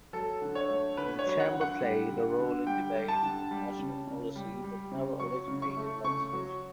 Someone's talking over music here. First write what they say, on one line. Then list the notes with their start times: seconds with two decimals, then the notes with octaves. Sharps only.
The Chamber played a role in debate on national policy but never originated legislation.
0.13 F#3 A4
0.42 D3
0.55 C#5
0.70 A3
0.97 D3 B4
1.19 C#5
1.26 F#3
1.40 F#5
1.54 D3
1.61 F#5
1.82 G3
2.10 D3
2.38 D3
2.66 G3 G5
2.95 G3
3.08 A5
3.23 D3
3.51 G3
3.79 C#3
4.07 C#3
4.35 G3
4.64 G3
4.92 C#3
5.20 F#3 C#6
5.48 C#3
5.62 C#6
5.76 A3
6.04 C#3 C#6
6.33 F#3